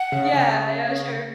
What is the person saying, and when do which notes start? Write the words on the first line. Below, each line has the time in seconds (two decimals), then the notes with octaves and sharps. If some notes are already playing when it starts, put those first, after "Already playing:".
Yeah, yeah, sure.
Already playing: F#5
0.12 C#3
0.34 C#3